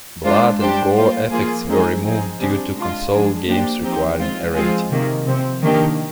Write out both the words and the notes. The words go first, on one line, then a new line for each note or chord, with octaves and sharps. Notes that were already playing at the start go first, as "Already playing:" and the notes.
Blood and gore effects were removed due to console games requiring a rating.
G#3 D4 F4 C5
G3 D4 G4 C5
A#3 F4 C5
F3 A#3 F4 G#4
F3 G#3 C4 D#4 G#4
F3 C4 D#4 G#4
C3 G3 D4 G#4 C5
G#3 D4 F4
F3 G#3 D4 G#4
A#3 D4 G4 C5
F3 C4 D#4 G4
G#3 C4 F4
F3 G#3 C4 F4 G#4
C3 D#3 A#3
C3 F3 C4
D#3 A#3 D4 G4